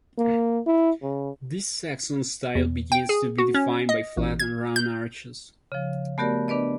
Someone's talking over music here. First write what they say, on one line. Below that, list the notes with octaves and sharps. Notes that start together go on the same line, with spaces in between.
This Saxon style begins to be defined by flat and round arches.
A#3
E4
C#3
E2
G5
G#4
F#4
C#4
D#5
A1
G#6
G6
C#3 F3
A3 B3 F#4 G4 A#4 D5
B3 D4 B4 D5 D#5